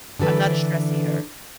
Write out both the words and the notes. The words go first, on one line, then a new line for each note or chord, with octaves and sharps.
I'm not a stress eater.
D3 E3 A4 B4